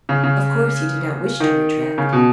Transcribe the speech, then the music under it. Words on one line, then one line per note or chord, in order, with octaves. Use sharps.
Of course he did not wish to retract.
C#3
C#3
D#3
C#3
B2